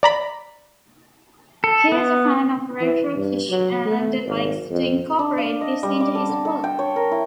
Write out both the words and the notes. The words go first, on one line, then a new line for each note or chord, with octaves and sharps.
He is a fan of retro-kitsch and likes to incorporate this into his work.
D5 A#5 B5
A4
B3
E3
G2
F#3
A3
G#1
F2
D4
F5
D#5
G3
D6
A4
D3
A4
G5
C#5
A#4
E4